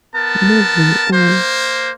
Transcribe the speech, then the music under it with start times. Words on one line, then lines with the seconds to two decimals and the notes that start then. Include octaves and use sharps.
Moving on.
0.16 B3 A#4 A5
1.13 A#3 C5